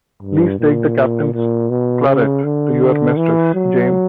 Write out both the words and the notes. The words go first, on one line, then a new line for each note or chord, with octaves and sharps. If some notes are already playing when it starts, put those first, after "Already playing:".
Please take the Captain's claret to your mistress, James!
G2
A#2
A#2
B2
C#3
D3
E3
F#3